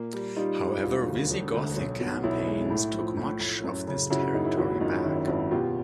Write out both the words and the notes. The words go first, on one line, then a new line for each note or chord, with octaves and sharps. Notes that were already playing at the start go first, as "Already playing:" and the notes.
However, Visigothic campaigns took much of this territory back.
Already playing: A#2 A#3
G3
G3 D#4 F4
G3
E1
D2
E1
D2
B1
B2
B1 E4
G#3
A2
F3
A2
A2
F#2
C#3
C#3 E4 F#4
E4
F#1 D#4
E4
G#1 E4 F#4
F#2 D#4 F4
D#3 E4
G#1 E4 F#4
B2 F4 G4